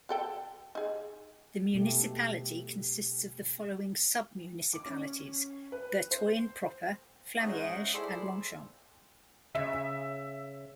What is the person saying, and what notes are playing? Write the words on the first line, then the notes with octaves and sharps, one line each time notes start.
The municipality consists of the following sub-municipalities: Bertogne proper, Flamierge, and Longchamps.
F#4 A4 G5
D#4 G#4
B2 A3 G4
D6
C#4
B4
C5
G#2 C#4 C#5 D#5 E5 F#5
E4 G#4 A4 C5 D5 E5
C#3 E5